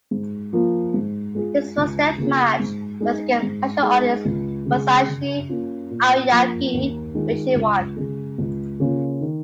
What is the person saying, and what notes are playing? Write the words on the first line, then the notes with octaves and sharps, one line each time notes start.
His first "death match" was against martial artist Masashi Aoyagi, which he won.
G#2
F3 A#3 F4
G#2
G#3 F4 G#4
C#2
C#3 A#3 F4 G#4
G#2
G#3 D#4 G#4
G#2
G#3 D#4
C#2
C#3 G#3
C#3
A#3 C#4 F4
A#2
F3 A#3
D#2
D#3 G#3 F4
C#2
C#3 G#3
C#2
C#3 A#3 C#4 F4
D#3